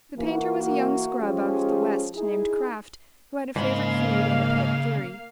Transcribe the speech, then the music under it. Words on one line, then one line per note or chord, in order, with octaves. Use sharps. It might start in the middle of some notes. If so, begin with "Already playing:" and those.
The painter was a young scrub out of the West named Kraft, who had a favourite food and a pet theory.
E3 A#3 F#4
F3 G#3 C#4 G4 G#4
D#4 E4 G#4
G#2 C#3 A#3 F5 B5